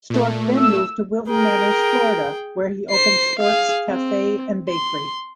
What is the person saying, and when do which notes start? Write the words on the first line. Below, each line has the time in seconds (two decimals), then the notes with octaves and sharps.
Stork then moved to Wilton Manors, Florida; where he opened Stork's Cafe and Bakery.
0.10 A#2 A3
0.57 E6
1.28 G#4 A#4 G5
2.90 C5 C7
3.39 G#4 F5
3.89 C4
4.70 C6